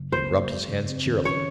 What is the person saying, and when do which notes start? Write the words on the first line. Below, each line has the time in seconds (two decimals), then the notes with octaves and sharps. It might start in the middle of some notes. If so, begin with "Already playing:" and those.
He rubbed his hands cheerily.
Already playing: F#1
0.12 A#3 C5
0.31 F#3
0.49 G#3
0.68 F#1
0.87 C4
1.06 D#3
1.25 C#3 C#5